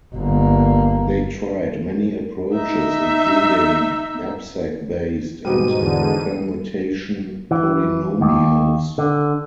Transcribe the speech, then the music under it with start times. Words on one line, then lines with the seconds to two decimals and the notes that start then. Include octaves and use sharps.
They tried many approaches including "knapsack-based" and "permutation polynomials".
0.15 G1 A#3
2.53 D#4 E5
5.45 G#2 B2 G3 D#7
5.79 E2 D3
7.51 E3
8.21 D#2
8.98 D3